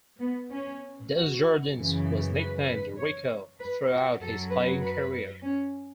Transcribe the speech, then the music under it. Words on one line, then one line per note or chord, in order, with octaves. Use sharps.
Desjardins was nicknamed Rico throughout his playing career.
B3
C#4
F#4
F#2 C#3 E3
B4
B4
C#5
B4
F#4
F#2 F#3 A4
B4
B4
C#4